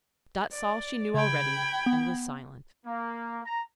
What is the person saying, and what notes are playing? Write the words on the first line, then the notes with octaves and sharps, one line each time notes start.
Dot saw she knew already, and was silent.
D5
C#3 G5 B5 G#6
B3
A#3
A#5